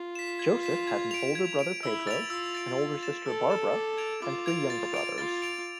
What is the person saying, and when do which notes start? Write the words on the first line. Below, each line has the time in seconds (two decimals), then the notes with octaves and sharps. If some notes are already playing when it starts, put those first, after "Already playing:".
Joseph had an older brother Pedro, an older sister Barbara and three younger brothers.
Already playing: F4
0.15 B6 E7
0.39 G#6
0.63 B6 E7
0.87 G#6
1.11 D7 F7
1.35 G#6
1.59 D7 F7
1.83 E4 E6
2.07 A6 D7 F7
2.30 F4 E6
2.55 A6 D7 F7
2.78 E6
3.03 A6 E7
3.26 A4 E6
3.50 A6 E7
3.75 D6
3.98 G#6 D7 F7
4.22 F4 D6
4.46 G#6 D7 F7
4.70 A6
4.94 D7 F7
5.18 F4 A6
5.42 D7 F7